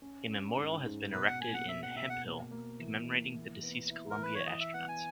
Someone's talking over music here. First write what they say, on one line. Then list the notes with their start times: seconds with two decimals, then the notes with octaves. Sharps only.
A memorial has been erected in Hemphill commemorating the deceased "Columbia" astronauts.
0.02 C#4
0.29 C#4
0.57 G#2
0.86 G#2
1.12 B2 B4
1.27 F#5
1.40 A#3 G#5
1.54 F#5
1.68 B2 E5
1.83 F#5
1.96 B2 E5
2.10 F#5
2.24 A#3
2.51 A#3
2.79 E3
3.07 A#3
3.35 E3
3.63 B3
3.91 E4
4.11 A#4
4.18 E3 B4
4.35 C#5
4.46 E3 D#5
4.60 E5
4.74 B3 F#5
4.88 G#5